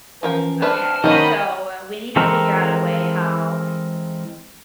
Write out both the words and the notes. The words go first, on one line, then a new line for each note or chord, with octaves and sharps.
okay, so we need to figure out a way how
E3 F3 C#4 A#4 G5
C4 D4 B4 A5 F6
D#3 A#3 C4 C#4 D#5 F#5 B5
E3 G#3 C4 A4 A#4